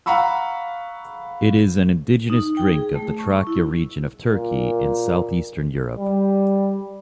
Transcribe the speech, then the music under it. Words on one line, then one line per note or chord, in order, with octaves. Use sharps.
It is an indigenous drink of the Trakya region of Turkey in southeastern Europe.
F5 F#5 A#5 B5 C#6 E6
D#4
G5
G#4
A3
C#6
E4
A#2
G3